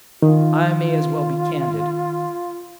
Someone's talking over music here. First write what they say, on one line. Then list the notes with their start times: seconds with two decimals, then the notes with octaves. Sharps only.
I may as well be candid.
0.22 D#3 F4